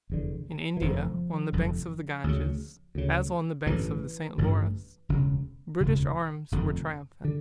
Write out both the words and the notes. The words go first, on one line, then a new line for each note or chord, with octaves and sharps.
In India, on the banks of the Ganges, as on the banks of the St. Lawrence, British arms were triumphant.
F1 E2 D3
E3
F1 F2 D3 F3
F1 F2 D3
D2 C#3
D2 C#3
A1 G2 D3 E3
A1 G2 D3
E1 D2 C#3
E1 D2 C#3
F1 F2 D3
D3